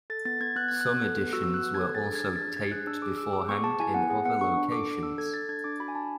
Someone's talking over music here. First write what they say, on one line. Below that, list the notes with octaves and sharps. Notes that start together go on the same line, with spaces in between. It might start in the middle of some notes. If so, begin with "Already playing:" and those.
Some editions were also taped beforehand in other locations.
A4 A6
B3 A6
B3 G#6
B3 F#6
B3 G#6
F#6
B3
A4
B3
F#4 E6
E6
B3
F#6
B3
A4 G#6
G#4 A6
D4
G#6
G#4
D4 A6
D4 G#6
G#4 F#6
D4 E6
G#4 D6
G#4 E6
G#4 D6
B3 C#6
G#4 A5
E4 G#5
B3 F#5
G#4 F#5
B3 F#5
D4 C#6
D4
A4 D6
D4
D4 E6
A4 G#6
A4 A6
D4 G#6
D4 D6
F#4 B5
G#5
D4 A5